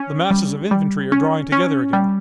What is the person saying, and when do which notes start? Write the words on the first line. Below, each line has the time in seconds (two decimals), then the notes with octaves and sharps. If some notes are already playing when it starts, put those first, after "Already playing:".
The masses of infantry are drawing together again.
Already playing: C#4
0.31 G3
0.71 G3
1.12 C#4
1.52 C#4
1.93 G3